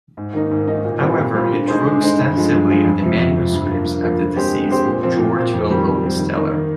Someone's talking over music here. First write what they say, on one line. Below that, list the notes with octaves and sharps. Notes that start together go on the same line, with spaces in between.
However, he drew extensively on the manuscripts of the deceased Georg Wilhelm Steller.
G#2
D#3 A#3 D#4
G#2
D#3 A#3 D#4
A#2
G3 C4 F4
A#2
G3 C4 F4
D3
G#3 D#4 G#4 C5
D3
G#3 D#4 G#4 C5
G2
D3 F3 G#3
G2
D3 F3 G#3
F2
C3 F3
F2
C3 F3
G2
F3 A#3
G2
F3 A#3
D3
G#3 C4 G4 C5
D3
G#3 C4 G4 C5
A#2
F3 C4
A#2
F3 C4
F2
D#3 G3 C4
F2
D#3 G3 C4
D#3
A#3 D#4
D#3